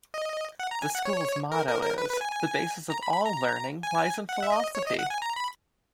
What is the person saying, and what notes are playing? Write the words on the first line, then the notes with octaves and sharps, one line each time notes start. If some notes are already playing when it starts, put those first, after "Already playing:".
The school's motto is "The basis of all learning lies in philosophy".
D#5
F#5
A#5
G#5
F#5
C#5
A#4
A#4
A#4
B4
B4
G#5
G#5
A#5
B5
B5
A#5
G#5
F#5
E5
D#5
C#5
D#5
F#5
G#5
A#5
B5